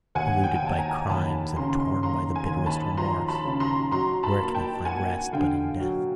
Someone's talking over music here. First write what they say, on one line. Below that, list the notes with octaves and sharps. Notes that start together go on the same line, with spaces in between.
Polluted by crimes and torn by the bitterest remorse, where can I find rest but in death?
D#2 F#5 G#5
G5
G#5
D#2 A5
G#5 A#5
D#2 A5 B5
C#3 A#5 C6
A#5 C6
D#2 A#5 C6
G#5 A#5
D#2
A5 B5
F3 A#5 C6
A5 B5
C#3
A#5 C6
F#3 A#5 C6
A5 B5
A#3
G5 A5
A#3 F#5 G#5
D3 F5 G5
F#3